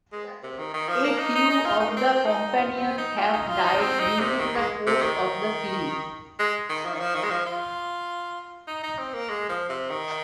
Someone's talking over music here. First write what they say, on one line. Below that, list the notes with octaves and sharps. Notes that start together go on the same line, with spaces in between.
A few of the companions have died during the course of the series.
G#3
C3
D#3
D#3
F3
A#3
D#4
D#4
D#4
F4
D#4
A#3
C4
D#4
F4
C4
D#4
F4
D#4
F4
D#4
C4
D#4
C3
D#3
G#3
C3
D#3
G#3
D#3
F3
D#3
F3
D#3
G#3
F3
F4
D#4
D#4
C4
A#3
G#3
F3
C3
D#3